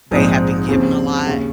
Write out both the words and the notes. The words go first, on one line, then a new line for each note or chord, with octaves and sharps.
they have been given a lot
A#1 G#2 F3 C4 D#4
D#2 C#3 F3 C4
D#2 C#3